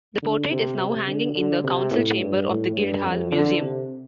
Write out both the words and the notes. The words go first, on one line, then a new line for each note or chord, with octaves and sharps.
The portrait is now hanging in the Council Chamber of the Guildhall Museum.
D3
C3
C3
D3
D3
C3
A2
G2
A2
G2
F2
D3
C3